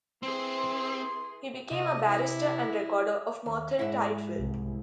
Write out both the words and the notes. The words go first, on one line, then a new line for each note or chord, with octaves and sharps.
He became a barrister and Recorder of Merthyr Tydfil.
E3 C4 G#4 C6
C3 D#5
E4
D#2
G#2 E4
C2